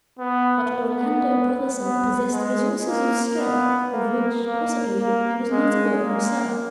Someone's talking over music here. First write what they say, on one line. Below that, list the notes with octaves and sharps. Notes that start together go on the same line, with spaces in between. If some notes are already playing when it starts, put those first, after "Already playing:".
But Orlando Brotherson possessed resources of strength of which, possibly, he was not aware himself.
B3
B3
B3
G#3
A#3
B3
A#3
A#3
A#3
G#3
A#3